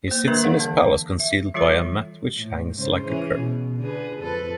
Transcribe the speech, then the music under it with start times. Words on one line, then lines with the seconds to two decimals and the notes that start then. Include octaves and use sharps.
He sits in his palace concealed by a mat which hangs like a curtain.
0.08 A#3 C5
0.28 D#3 G3 A#3 D4 A#4 B4
0.44 E3 G#4 F5 F#5
0.60 D3
1.20 E5
1.54 E3 G3 F4 A4 C#5
2.35 A2
2.75 G#2 C#3 C5
3.06 E3 C#4 G#4
3.36 B2
3.79 D3 G#4 B4
4.21 F2 A4 B4